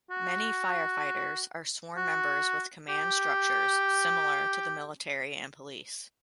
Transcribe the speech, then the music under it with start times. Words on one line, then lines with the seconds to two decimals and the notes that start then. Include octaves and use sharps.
Many firefighters are sworn members with command structures similar to the military and police.
0.11 F#4
1.96 F#4
2.89 G4